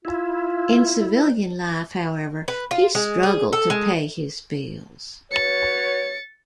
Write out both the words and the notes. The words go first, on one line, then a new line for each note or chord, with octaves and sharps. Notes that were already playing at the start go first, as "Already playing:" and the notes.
In civilian life, however, he struggled to pay his bills.
E4 F4
B4
F4
G#3
G#4
A4
G#3
F#4 B4 C#5 A6 C#7